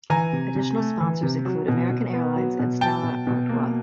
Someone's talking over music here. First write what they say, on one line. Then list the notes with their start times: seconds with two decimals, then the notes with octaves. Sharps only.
Additional sponsors include American Airlines and Stella Artois.
0.10 E3 G#5 A#5
0.33 C3
0.55 C3
0.77 A3
1.00 E3
1.23 C3
1.45 F#3
1.68 B2
1.90 B2
2.13 B3
2.36 F#3
2.59 B2
2.81 F#3 G5 A5
3.03 B2
3.27 B2
3.49 A#3